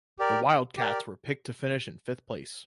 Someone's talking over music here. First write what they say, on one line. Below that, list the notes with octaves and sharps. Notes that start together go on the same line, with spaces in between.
The Wildcats were picked to finish in fifth place.
G4 A#4 D5
G4 A#4 D5